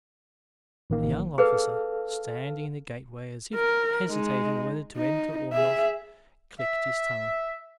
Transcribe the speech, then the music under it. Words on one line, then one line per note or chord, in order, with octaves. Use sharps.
The young officer standing in the gateway, as if hesitating whether to enter or not, clicked his tongue.
A1 D#3 A#3
G#4 A4 B4 F5 F6
A#4
G#3 D#4
D#4
G#4 E5
E5